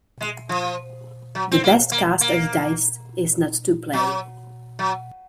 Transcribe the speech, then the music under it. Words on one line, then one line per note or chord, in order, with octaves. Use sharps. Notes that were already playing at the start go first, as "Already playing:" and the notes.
The best cast at dice is not to play.
G#3
F3
F#3
C4
A#3
A#3
A#3
F#3
F#3